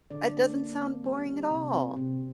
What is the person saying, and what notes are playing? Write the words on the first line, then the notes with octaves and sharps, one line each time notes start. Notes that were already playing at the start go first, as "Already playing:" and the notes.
It doesn't sound boring at all.
D3 D4 D5
A#3
A#3
C4
G3
G3
C3
C4
C3